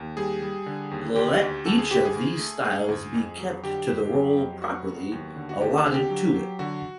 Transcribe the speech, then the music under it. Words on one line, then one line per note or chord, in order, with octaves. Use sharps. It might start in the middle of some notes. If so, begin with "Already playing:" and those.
Let each of these styles be kept to the role properly allotted to it.
Already playing: D#2
G3 G#4
G3
D3
D#2
D2 G4
D2
D2 A4
G#4
D2 G4
G#4
D2
A3
A3 G#4
D2
F2
F#3
D3 G4
F2
F#3
F2
F#3 F#4
B3
D#2
D3
F#4
D#2 G4
A4
D3 G#4
G4
F#3
F#3
D3 F#4